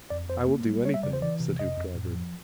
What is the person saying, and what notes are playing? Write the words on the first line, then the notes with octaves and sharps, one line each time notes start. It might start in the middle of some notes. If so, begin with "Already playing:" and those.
"I will do anything," said Hoopdriver.
F2 D5
F2 C5
A#3
G3
G3 C#5
E5
C#3 D5
C5
E3 D5
C3
F2 D#5
F2
A2
F3